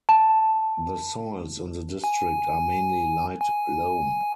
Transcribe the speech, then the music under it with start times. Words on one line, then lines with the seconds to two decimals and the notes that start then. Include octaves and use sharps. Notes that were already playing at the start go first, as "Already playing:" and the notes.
The soils in the district are mainly light loam.
0.09 A5
2.04 G#5
3.41 G#5